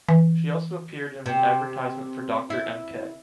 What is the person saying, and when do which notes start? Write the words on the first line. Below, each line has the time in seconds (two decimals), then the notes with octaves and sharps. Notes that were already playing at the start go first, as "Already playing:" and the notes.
She also appeared in an advertisement for Dr. M. K.
0.09 E3
1.26 C3
2.50 E4